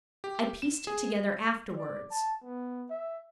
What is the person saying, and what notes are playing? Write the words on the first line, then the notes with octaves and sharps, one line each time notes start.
I pieced it together afterwards.
G4
E7
G#4
D5
A5
B3
E5